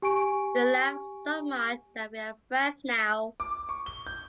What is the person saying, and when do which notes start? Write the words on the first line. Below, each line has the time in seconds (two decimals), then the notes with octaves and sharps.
We laughed so much that we are friends now.
0.02 G4 G#5 C#6 D7
3.40 D6
3.69 C#6
3.86 G7
4.07 G6